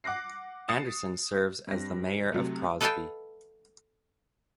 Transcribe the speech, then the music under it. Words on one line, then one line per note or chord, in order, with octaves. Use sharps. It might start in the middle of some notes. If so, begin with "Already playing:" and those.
Anderson serves as the mayor of Crosby.
F#5 D6 F#6 A#6 C7
D#6 A6 C7 C#7 E7
G2 G3 C4 A#6
C3 F#3 A3
A4 B4 D#5 F5 G5 A5